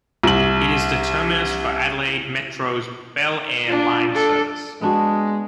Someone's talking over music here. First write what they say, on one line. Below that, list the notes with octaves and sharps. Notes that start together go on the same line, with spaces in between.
It is the terminus for Adelaide Metro's Belair line service.
C2 F#7
D4 F4
D4 A4
G#3 B3 D4 F#4